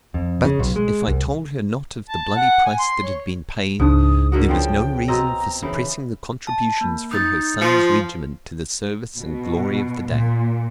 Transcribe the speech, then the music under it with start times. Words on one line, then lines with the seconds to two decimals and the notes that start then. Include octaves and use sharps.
But, if I told her not of the bloody price that had been paid, there was no reason for suppressing the contributions from her son's regiment to the service and glory of the day.
0.14 F2
0.45 C#3
0.59 B1
0.76 G#3
1.08 C2
2.08 A5
2.36 F#5
2.65 G#5
2.79 C6
3.03 C#5
3.80 C#2 G#2 D4 D#6
4.32 D3 A#3 F#4
4.48 C#3 F3 B3 G5
5.08 B2 C4 D#5 A#5
5.62 C#3 E3 D#4 B5
6.47 A5
6.81 A#3
7.11 D#4 D#6 G6 A6
7.61 F3 F4
9.19 B2
10.09 A#2